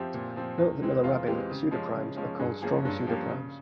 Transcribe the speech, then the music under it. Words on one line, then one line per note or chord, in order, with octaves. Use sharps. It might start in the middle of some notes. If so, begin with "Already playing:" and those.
Note that Miller-Rabin pseudoprimes are called strong pseudoprimes.
Already playing: F3 C4 G4 E5
A#2
F3 C4
E2
E3 G#3 C4
E2 F4
E3 G#3 C4 G4
C#3
F3 G#3 C#4
C#3
F3 G#3 C#4
G2 G#4
F3 A#3 C#4 G#4
G2
F3 A#3 C#4 G4
C#3